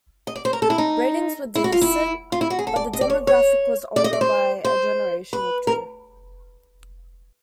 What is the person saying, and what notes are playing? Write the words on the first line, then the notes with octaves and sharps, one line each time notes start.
Ratings were decent, but the demographic was older by a generation or two.
D#5
D5
C5
A#4
A4
E4
D#4
E4
F#4
F4
E4
F4
E4
F#4
G#4
A4
D5
D#5
D5
C#5
C#5
D5
D#5
D5
C5
C5
B4
A#4